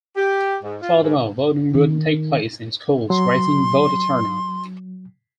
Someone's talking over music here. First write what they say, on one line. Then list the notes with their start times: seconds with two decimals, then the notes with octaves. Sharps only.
Furthermore, voting would take place in schools, raising voter turnout.
0.16 G4
0.63 G#2
0.81 F4
1.02 G#2
1.75 D#3
3.10 F#3 C6